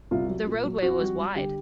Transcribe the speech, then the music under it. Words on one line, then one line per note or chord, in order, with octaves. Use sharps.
The roadway was wide.
C2 F4
F#3
A#2
F#3
F2 F#4
G3
G3
D3 G4